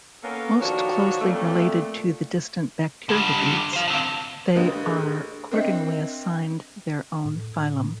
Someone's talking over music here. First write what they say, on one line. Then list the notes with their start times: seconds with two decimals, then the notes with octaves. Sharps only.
Most closely related to the distant Bacteroidetes, they are accordingly assigned their own phylum.
0.23 A#3 B3 C#4 A4
0.61 D#3 F3 D4 F#4 C#5
1.21 F2 A#2 A3
3.09 D3 G3
3.73 C5 F5
3.88 D3 C4
4.55 A1 D3 A#4 B4 D#5 F5
4.86 D4 G#4 A4
5.52 C4 D4 A#4 D#5 E5
7.25 A2